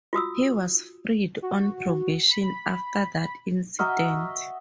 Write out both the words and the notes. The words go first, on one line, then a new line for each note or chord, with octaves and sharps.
He was freed on probation after that incident.
F4 F#4 D#6 E6
F#4
B5
F#4 D#5 E5 A#5 F6